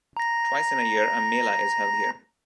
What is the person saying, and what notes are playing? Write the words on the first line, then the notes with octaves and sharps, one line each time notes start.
Twice in a year a mela is held here.
A#5 A#6